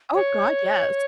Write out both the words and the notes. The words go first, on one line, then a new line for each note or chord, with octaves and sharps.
Oh god, yes.
C#5